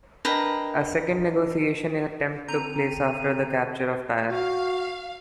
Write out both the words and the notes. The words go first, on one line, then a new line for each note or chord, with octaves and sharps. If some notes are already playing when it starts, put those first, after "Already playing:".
A second negotiation attempt took place after the capture of Tyre.
D4 A#4 B4 D#5 G5 A#5
D3 C4 A4 A#5 G6 D#7
F#4 F5